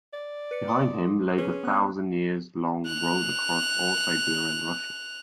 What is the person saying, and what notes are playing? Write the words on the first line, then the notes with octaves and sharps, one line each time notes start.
Behind him lay the thousand-years-long road across all Siberia and Russia.
D5
B4 C#7
C6 D6 D#6
C#4 G#4 B4
B3 F#6
F#6 F7